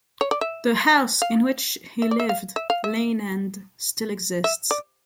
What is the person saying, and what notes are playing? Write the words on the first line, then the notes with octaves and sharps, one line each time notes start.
The house in which he lived, Lane End, still exists.
C#5
D5
E5
F5
E5
D5
E5
F5
E5
F5
E5
E5
D5